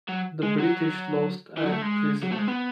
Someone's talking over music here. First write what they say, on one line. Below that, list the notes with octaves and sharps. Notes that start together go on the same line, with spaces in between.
The British lost and prisoner.
F#3
G#3
F#3
E3
F#3
A3
G#3
F#3
A3
G#3
B3